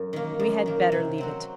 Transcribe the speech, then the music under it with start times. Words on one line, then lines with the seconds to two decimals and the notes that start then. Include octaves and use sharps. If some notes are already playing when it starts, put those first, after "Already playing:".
We had better leave it.
Already playing: F#2 C#4
0.13 D#3 A#3
0.40 F#2
0.66 D#3 A#3
0.92 C3
1.18 F#3 C4 F#4